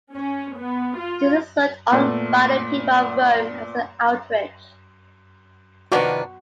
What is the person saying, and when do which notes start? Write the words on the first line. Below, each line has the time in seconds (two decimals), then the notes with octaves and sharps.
This is looked on by the people of Rome as an outrage.
0.13 C#4
0.58 B3
0.98 F4
1.92 A#2 A3 B3
5.92 C3 D#3 F3 A#3 D4 F#4 B4